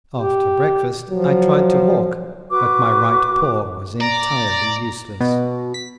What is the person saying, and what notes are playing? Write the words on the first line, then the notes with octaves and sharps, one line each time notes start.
After breakfast I tried to walk, but my right paw was entirely useless.
G4
F3 F#3
F#4 B4 D6
D5 A#5
B2
B6